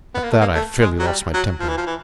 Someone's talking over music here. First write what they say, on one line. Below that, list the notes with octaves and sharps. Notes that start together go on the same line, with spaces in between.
At that I fairly lost my temper.
B3
A#3
A3
A#3
A3
G#3
F#3
G3
F#3
F3
E3
F3
E3